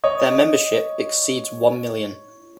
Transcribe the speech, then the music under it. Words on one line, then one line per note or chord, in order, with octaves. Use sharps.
Their membership exceeds one million.
C#5 D#5